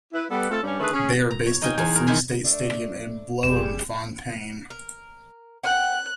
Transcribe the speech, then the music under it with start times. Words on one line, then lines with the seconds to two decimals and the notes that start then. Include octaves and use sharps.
They are based at the Free State Stadium in Bloemfontein.
0.13 E4 B4
0.31 G3 B3 A4 B4 D5 F#5
0.50 A3 C4 F4 A4
0.63 G2 G3 C#4
0.80 D3 D#3 A3 G#4 B4
0.93 C#4 G#4
1.31 A#5
1.47 C#5
1.62 D#4 D#5 F5 G5 G#5
1.78 E2 G#4 G#5
1.95 A#4
2.07 D#3 E4 G4 G#5 C6
2.44 A3 D4
3.43 F#1 F2 G3 G4 G#4 E7
4.70 A#4
5.63 F#5 G5 F#6